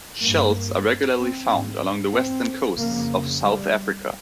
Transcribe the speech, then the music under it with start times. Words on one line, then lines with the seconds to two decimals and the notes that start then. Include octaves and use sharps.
Shells are regularly found along the western coasts of South Africa.
0.21 G2 A#3
1.18 C4
1.50 G#2
2.14 C4
2.78 F2 C#3 A#3
3.42 G3